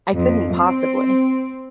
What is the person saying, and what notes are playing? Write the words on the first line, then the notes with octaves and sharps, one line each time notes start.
I couldn't possibly.
F2
C4